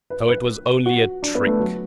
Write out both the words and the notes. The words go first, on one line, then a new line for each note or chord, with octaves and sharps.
So it was only a trick!
B4
B4
F#4
D4
B3
A3
F#3